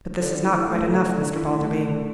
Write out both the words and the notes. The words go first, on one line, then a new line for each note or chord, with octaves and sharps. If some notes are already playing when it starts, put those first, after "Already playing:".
But this is not quite enough, Mr. Balderby.
D3
E4
A3
D3
D3
E4
A3
D3